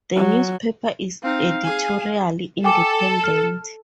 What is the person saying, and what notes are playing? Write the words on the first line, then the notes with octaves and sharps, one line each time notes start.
The newspaper is editorially independent.
F#3
C4 D#4 F5
G#4 G#5
A4 G5 G#5 D6
F6